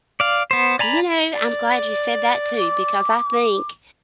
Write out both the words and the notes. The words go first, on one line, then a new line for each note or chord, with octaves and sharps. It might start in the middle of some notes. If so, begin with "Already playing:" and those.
You know, I'm glad you said that too, because I think
D5 F5
B3 C5
D5 G#5 A#5 B5
D5
D6